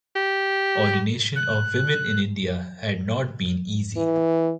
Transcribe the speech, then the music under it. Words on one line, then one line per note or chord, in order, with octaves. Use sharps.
Ordination of women in India had not been easy.
G4
F#6
E3